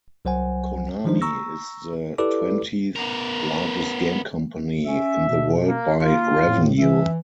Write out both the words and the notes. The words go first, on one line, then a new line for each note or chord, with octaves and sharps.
Konami is the twentieth-largest game company in the world by revenue.
C2 F#3 C5 F#5 G#5
D#3 F3 G#3 D4 D#4 C5
A#5 C#6 E6 A#6
E4 G4 A4 B4 D5 D6
B3 A#4
C#4 E5
B2
A#3
A#3 F4
A2
E3 E5